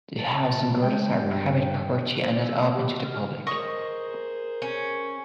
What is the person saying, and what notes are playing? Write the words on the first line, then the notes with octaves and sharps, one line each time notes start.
The house and gardens are private property and not open to the public.
A5
A#2
G#3 G5
G2
C5
D5
E6
C6
G4
F#4
F6
G#4 A#4 C5 D#5 C#6 D#6
C#4